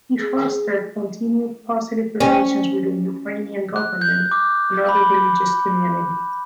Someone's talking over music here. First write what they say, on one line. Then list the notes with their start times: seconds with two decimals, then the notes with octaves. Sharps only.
He fostered continued positive relations with the Ukrainian government and other religious communities.
0.19 G#4
2.20 C#4
3.76 F#6
4.01 G6
4.31 D6
4.89 B5